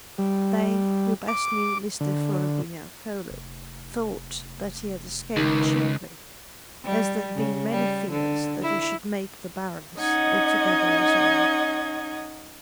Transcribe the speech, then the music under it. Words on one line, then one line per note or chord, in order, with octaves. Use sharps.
They who best knew Mr. Philogunac Coelebs thought that he had escaped cheaply, as there had been many fears that he should make the Baroness altogether his own.
G3
D6
D3
F1
C#2 D#3
G3
C#3
G3
D3
E4
C#4 D#4 D#5 F#5 G#6